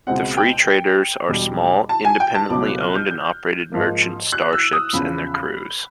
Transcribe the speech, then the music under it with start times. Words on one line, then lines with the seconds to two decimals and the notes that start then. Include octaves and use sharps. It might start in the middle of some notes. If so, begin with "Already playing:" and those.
The Free Traders are small, independently owned and operated merchant starships and their crews.
0.07 C#2 B2 G#3 C4 F#5
0.37 G5
1.28 E1 E2 B2 G3
1.89 A5
2.05 G#5
2.20 G5
2.35 A5
2.50 C#2 B2 F#3 B3 D6
2.66 F#6
2.80 F6
2.95 G6
3.11 G6
3.72 G#2 F3 A#3
4.32 F#6
4.53 E6
4.73 D#6
4.93 E2 C#3 F3 B5